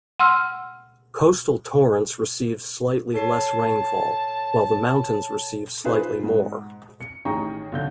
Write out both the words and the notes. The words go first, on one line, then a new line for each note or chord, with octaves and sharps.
Coastal Torrance receives slightly less rainfall, while the mountains receive slightly more.
F#5 C6 E6 F6
A4 C#5 A5 C7
D#4 F4 G#4 B4 C5
G#2 F#5
C#7
A1 D#3 G#4 G5 A#5 C#6
B1 D3 G6